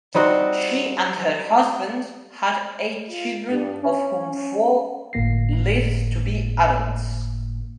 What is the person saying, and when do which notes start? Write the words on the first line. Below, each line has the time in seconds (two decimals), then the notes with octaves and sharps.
She and her husband had eight children of whom four lived to be adults.
0.15 G3 C4 D#4 F#4
3.10 F4
3.51 G2
3.81 C#4
4.31 C#4
5.13 G1 A2 A#3 A#6 C7